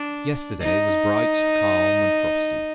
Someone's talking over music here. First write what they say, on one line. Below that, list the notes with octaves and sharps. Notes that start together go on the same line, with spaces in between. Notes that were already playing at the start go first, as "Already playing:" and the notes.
Yesterday was bright, calm, and frosty.
Already playing: D4
D#4